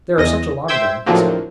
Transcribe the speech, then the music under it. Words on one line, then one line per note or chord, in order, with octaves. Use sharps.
"There are such a lot of them," he said.
E2 D#5 A#6
C5 E5 G5 E6 G6 G#6
A2 D3 F3 F#3 A#3 C4